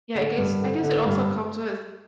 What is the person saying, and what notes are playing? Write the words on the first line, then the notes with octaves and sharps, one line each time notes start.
Yeah, I guess I guess it also comes with
D3
G2
D3
D3
G2